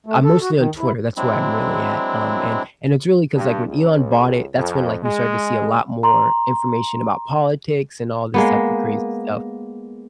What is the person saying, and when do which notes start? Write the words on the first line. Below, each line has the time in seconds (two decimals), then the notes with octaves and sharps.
I'm mostly on Twitter, that's where I'm really at, um, and and it's really 'cause, like, when Elon bought it, that's when, like, you started to see a lot more information about politics and all this type of crazy stuff,
0.06 A3
0.24 A4
0.41 F#4
0.55 D#3
0.78 E4
1.17 F#3 G#3 C4 D4 E4
3.34 G2
3.67 C#2
4.56 F2
5.03 G#3
6.03 A#5 C6
8.34 G#3 A#3 B3